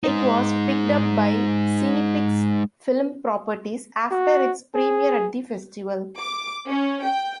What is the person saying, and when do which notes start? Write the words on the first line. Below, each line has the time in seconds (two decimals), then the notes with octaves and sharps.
It was picked up by Cinepix Film Properties after its premiere at the Festival.
0.04 G#3 D#4
4.11 F#4
4.74 G#4
6.18 D6
6.67 C#4
7.04 G5